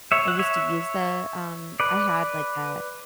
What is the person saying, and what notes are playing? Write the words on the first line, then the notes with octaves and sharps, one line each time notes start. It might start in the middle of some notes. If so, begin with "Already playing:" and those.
I used to use the, um I had, like, a
C#5 E5
F#5
C#5 E5
B4 D5